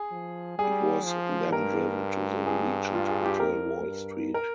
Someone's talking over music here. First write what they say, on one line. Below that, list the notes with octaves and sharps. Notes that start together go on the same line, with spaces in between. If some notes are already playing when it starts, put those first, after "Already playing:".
It was then driven to the Regent Hotel, Wall Street.
Already playing: G#4
F3
G3 G#4
F3
G2 A#4
G#4
F4
G#4
G4
F2 A#4
G2
A#4